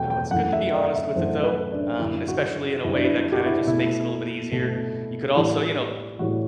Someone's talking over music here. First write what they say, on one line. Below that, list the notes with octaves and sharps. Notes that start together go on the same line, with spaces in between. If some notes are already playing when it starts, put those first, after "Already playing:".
No, it's good to be honest with it, though, um, especially in a way that kinda just makes it a little bit easier. You could also, you know
Already playing: E2 B2 A3 G5
G5
F#2 E3 A3 F#5
E5
D5
E5
F#2 E3 A3 C5
B4
D4
F#2 D3 G3 E4
F#4
F#2 D3 G3 E4
D4
E4
G4
F#4
E4
B2 A3 E4
B2 A3
A2 E3 G3
A2 E3 G3 F#4